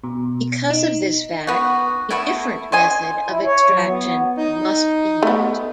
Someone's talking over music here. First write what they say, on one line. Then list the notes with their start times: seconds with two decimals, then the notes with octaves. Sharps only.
Because of this fact, a different method of extraction must be used.
0.04 B2
0.70 D#4
1.47 B3 F#4
2.10 A3 B3 E4
2.72 C5 D#5 G#5
3.28 E4
3.45 C#5
3.69 F#3
3.86 B3
4.38 D#4
5.23 A3 B3